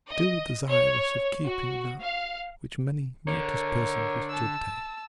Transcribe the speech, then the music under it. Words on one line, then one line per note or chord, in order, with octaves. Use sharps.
Unduly desirous of keeping that which many meritorious persons wish to obtain.
D#5
C#5
F#4
F5
D3 A#4 C#5
A5 E6